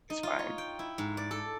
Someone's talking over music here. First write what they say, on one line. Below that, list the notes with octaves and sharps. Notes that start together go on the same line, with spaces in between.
it's fine.
D#4
F4
C#5
G5
E4
G#2
D5
A4